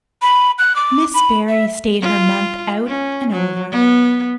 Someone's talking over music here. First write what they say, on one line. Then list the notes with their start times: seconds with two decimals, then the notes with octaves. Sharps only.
Miss Barry stayed her month out and over.
0.22 B5
0.59 F#6
0.76 D6
1.14 B5
1.49 E5
2.02 F4
2.87 C#4
3.31 F#3
3.71 B3